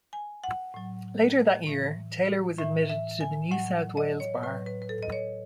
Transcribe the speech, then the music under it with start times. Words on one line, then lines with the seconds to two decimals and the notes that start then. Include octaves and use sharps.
Later that year, Taylor was admitted to the New South Wales Bar.
0.13 G#5
0.44 F#5
0.74 A2 F#3
1.67 A2 E3
2.58 A2 E3 E5
2.89 E5
3.21 G#5
3.51 A2 F#3 F#5
3.97 D#5
4.20 C#5
4.43 A2 F#3 B4
4.66 B4
4.82 B4
4.89 A4
5.03 D#5
5.12 C#5